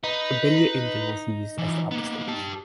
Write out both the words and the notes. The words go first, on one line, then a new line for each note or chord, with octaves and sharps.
A Belier engine was used as the upper stage.
D#4 B4
E3 F3
A#3 B3
G4 A5